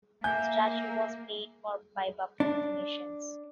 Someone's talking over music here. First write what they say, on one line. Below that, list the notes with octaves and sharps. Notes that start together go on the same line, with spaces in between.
The statue was paid for by public donations.
A#3 E5 G#5 G6
D4